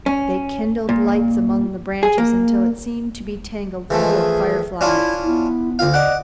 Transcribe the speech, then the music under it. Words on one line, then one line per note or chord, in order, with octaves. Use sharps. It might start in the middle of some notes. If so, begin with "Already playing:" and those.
They kindled lights among the branches until it seemed to be tangled full of fire-flies.
C#4
A#2
G#4
A#3
E3 F3 A3 G#4
C#4 D4 E4 F4
B3 E4
D2 F4 F5
D5 D#5 F#5 D6